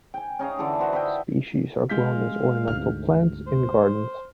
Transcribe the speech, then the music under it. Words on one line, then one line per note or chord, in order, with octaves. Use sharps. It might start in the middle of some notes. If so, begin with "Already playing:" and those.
Species are grown as ornamental plants in gardens.
G5 G#5
C#4 D#4 D#5 F5
D3 E3 A4 D6
F#4 A4 A#4 C5
B4 D#5 E5 G5
G#3 F5 G6 B6
D2 G#2 F6
C5